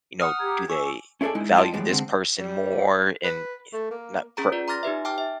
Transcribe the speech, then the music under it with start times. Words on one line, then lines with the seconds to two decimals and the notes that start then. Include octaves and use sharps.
you know do they value this person more and, eh, not per
0.20 F#5 D#6 F6
0.40 G4 A#5 G#6
0.70 G#5 C#6 D6 E6
1.21 C#4 E4 G#4 A4 D5 G#5
1.35 G#3 D#4 E4
1.56 E4 F4 D5 D#5 G5 A5
1.73 F#2 A2 E3 G3 G#3
1.88 D3 G#3 C4
2.39 G3
3.24 B4
3.73 A3
3.91 A#3
4.37 C#4 G#4 A#5
4.52 F4 B4 D5
4.68 A#5 C6 D6 F6 A6 A#6
4.83 D#4 G4 B4 E5
5.05 G5 A5 D6 F6
5.18 E5